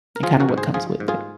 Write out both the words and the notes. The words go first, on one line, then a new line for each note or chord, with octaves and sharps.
and kinda what comes with it.
A#4
F3 F4 G#4
F#4 A#4
G#2
G#4 C5
F3 F4 G#4
G#2
F4 G#4